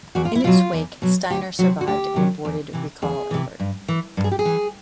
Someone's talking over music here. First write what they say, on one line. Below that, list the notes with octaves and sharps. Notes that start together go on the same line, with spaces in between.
In its wake, Steiner survived an aborted recall effort.
E2 F#4
F4
E4
B2 F#3 F4
E2
B2 F#3
D2 G4
C3 D#3 F#3 F#4
F#4
D2 G4
C3 D#3 F#3
E2
C3 E3
E2 G#4
C3 E3
G2
E3
G2
G#4
G4
G#4
E3